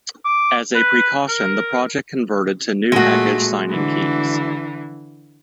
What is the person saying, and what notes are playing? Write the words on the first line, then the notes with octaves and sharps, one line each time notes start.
As a precaution the Project converted to new package signing keys.
D6
B4
A#4
A#2 G#3 A3 F#4
D3 E3